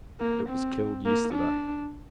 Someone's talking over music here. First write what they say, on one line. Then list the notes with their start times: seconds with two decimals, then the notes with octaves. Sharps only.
It was killed yesterday.
0.20 A#3
0.49 C4
1.05 A#3
1.34 D4